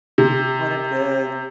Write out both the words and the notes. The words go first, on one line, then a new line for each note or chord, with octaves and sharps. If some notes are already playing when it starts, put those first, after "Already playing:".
one of the,
C3